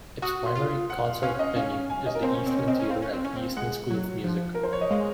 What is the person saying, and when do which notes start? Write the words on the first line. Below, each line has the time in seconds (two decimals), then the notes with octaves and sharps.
Its primary concert venue is the Eastman Theatre at the Eastman School of Music.
0.22 F#4 D#6
0.45 C6
0.55 F4
0.90 F#5
1.06 F5
1.22 C#4 F5
1.39 D#5
1.56 C#4 F5
1.72 F5
1.90 G#5
2.06 D#5
2.15 A#4
2.22 C4 C5
2.34 C#4
2.46 C4 C#5
2.57 C#4
2.67 C4 D#5
2.80 C#4
2.89 C4 F5
3.02 C#4
3.13 C4
3.25 C#4
3.36 C4
3.57 G#3 F#5
3.91 F#3
4.24 F3
4.54 A#4
4.63 C5
4.73 C#5
4.81 D#5
4.90 G#3 F5